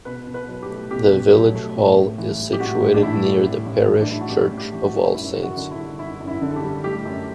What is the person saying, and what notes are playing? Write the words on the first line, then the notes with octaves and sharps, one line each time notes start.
The village hall is situated near the Parish Church of All Saints.
B2 B4
B2
B4
F#3
G4
A3
B2 G4
B2
F#3
A3
A2
A2
E3
G3
G4
A2 F#4
A2
D4
E3 E4
G3
A2
A2
E3
D4
G3 E4
F#4
A2 G4
A2
G4
E3
F#4
G3
F#2 E4
F#2
F#4
D3
E4
G3
F#2 E4
F#2
E4
D3
A4
G4
G3
A3 G4
F#2